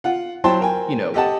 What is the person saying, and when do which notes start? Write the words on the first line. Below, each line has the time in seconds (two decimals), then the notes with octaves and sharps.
you know,
0.04 F4 F#5
0.44 F#3 E4 C5 G5 A5 C6
0.61 A#4 G5 G#5
1.14 G4 A4 D#5 F#5 G5 A5